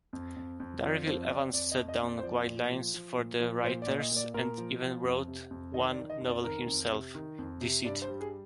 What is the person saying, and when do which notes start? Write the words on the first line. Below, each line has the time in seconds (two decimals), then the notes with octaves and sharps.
Darvill-Evans set down guidelines for the writers, and even wrote one novel himself, Deceit.
0.13 F2
0.36 F2
0.60 F2
0.84 F3 D5
1.07 F2 C5
1.30 F2 D5
1.53 F2 D5
1.72 D#5
1.77 F2
1.88 D#5
2.01 F2
2.07 D5
2.19 C5
2.23 F3 D5
2.47 A#2
2.70 F3
2.94 F3
3.17 A#2
3.40 F3
3.64 A#2 C5
3.82 D5
3.87 A#2
4.00 D#5
4.11 A#2
4.16 D5
4.34 A#2 A#4
4.58 F3
4.82 F3
5.04 F2
5.28 C3
5.51 F2
5.74 D#3 D#5
5.91 D5
5.98 D#3
6.10 D#5
6.21 F2
6.27 D5
6.44 D#3 A#4
6.67 F2
6.92 C3
7.15 D#3
7.39 F2
7.61 C3
7.85 G2 D5
8.02 C5
8.08 G3
8.21 G#4